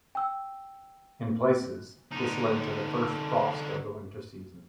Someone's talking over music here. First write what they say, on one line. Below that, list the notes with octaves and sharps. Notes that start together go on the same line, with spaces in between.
In places, this led to the first frost of the winter season.
G5 E6
D3 D#4